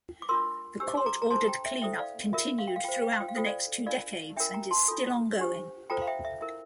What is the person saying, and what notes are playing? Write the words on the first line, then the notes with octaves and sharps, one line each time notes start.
The court ordered cleanup continued throughout the next two decades and is still ongoing.
D6
D4 F4 A#4 C6 E6
D4 G4 C5 E6
D6
C6
A#5 D6
A#5
D4 A4 C5 A5 C6
G5 A#5
E5 G5
E4 A4 C5 E5 G5
D5 F5
F4 A#4 E5
F5
G5
F5
F4 C5 G5
F5
G5
F5
G5
F5
F4 A4 C5 G5
D5 F5
D4 F4 A#4 D5 F5
D4 F4 A#4 E5 G5
G5 A#5
A5 C6
D4 F4 A4
D4 G4 C5
F4 A4 C5 G5 A#5
F5
E5 G5
E5
E4 A#4 E5